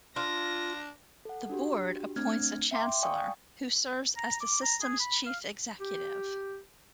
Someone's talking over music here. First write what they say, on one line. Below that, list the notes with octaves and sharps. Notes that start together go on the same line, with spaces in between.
The Board appoints a Chancellor, who serves as the System's chief executive.
D4 F4 A#6
A4 F#5
D4 F#4 G4
A3 C4 D4 F6 G#6
E5 G5 C6 D6
D5 F5 G5 G#5 C#6 D#6
A#5
D6
A#5
G#4
B5
F5
G4